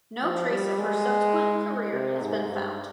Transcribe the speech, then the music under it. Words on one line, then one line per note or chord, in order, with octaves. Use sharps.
No trace of her subsequent career has been found.
F3
G3
G#3
C3
G#2
G2